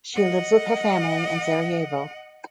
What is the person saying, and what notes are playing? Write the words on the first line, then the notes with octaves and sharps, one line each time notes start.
She lives with her family in Sarajevo.
D#5 F#5